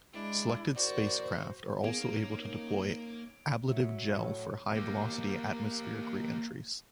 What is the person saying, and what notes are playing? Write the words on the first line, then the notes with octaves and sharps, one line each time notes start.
Selected spacecraft are also able to deploy ablative gel for high-velocity atmospheric reentries.
G#3 D4 E4
A#1 E3 F#4 A#4 C5 D5
A#3 B3 C#4 D#4 G#4 G#6 D7 F7
F#3 E5
A2 C#4
A#3 G4